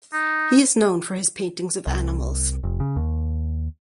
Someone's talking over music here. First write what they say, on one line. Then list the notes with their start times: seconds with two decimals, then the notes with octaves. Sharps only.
He is known for his paintings of animals.
0.13 D#4
1.87 C2
2.63 F1
2.80 C#3
2.96 D#2